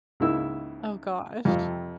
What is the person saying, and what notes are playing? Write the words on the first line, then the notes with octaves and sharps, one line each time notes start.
Oh, gosh.
C#2 G#2 C#3 A#3 E4 E6
F2 C3 F3